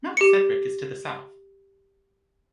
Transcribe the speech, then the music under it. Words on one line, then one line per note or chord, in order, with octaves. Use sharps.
Mount Sedgwick is to the south.
G4 C#7